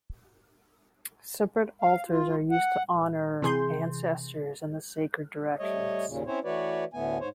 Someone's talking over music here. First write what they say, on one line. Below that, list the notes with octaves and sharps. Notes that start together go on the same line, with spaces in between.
Separate altars are used to honor ancestors and the sacred directions.
F5
F4
F#5
C3 E3 G#4 C6 G6
G3 A3 C#5 D#5
D#2 A#2 C#3
C4 C#4 E4 C5 C#5
E3 A3 F#4 B4 C#5 D5
D2 A2 D3 A3 B3 G#5
G#2 C5 C#5